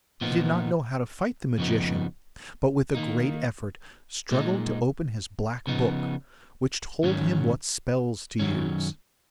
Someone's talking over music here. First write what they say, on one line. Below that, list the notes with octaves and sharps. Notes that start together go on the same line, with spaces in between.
He did not know how to fight the magician, but with a great effort struggled to open his Black Book, which told him what spells to use.
A#2 F3 B3 D#4
F2 C#3 F3 B3 D#4
D#3 A#3 D#4
A#2 G#3 D#4
C#3 F3 B3 D#4
G#2 D#3 F#3 C#4
F#2 D#3 F#3 C#4